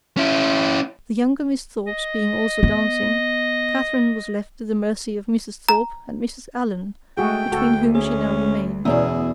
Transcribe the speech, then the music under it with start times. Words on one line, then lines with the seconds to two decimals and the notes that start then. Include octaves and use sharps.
The younger Miss Thorpes being also dancing, Catherine was left to the mercy of Mrs. Thorpe and Mrs. Allen, between whom she now remained.
0.17 C#4 E4
1.87 D#5
2.63 B3
5.69 A#5
7.17 G#3 A3 F#4 G#4 G5
7.52 D2 F#4 A4
7.95 C#4 G#4
8.85 E2 B2 C#4 E4 G#4